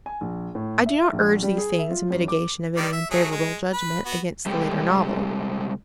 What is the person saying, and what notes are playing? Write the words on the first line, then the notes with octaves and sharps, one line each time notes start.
I do not urge these things in mitigation of any unfavourable judgment against the later novel.
G#5
A#1
A2
E5
A#1
G3
G#4
E5
F4
F#2
D6
D#3 G3 D5
E5
F#3 A3 G#4
G#3
B4
B3 F#4
C3 G3 G#3 G4 A4 G5